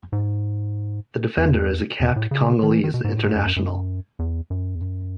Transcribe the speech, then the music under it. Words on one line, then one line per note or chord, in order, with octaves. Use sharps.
The defender is a capped Congolese international.
G#2
E2
E2
A2
C#3
D#3
E3
D#3
B2
G#2
A2
G#2
F#2
F#2
F#2
E2
F#2
E2
F#2